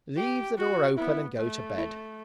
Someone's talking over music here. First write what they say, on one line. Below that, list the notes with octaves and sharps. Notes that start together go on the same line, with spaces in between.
Leave the door open, and go to bed.
G4
F#4
B3 E4
A3
E4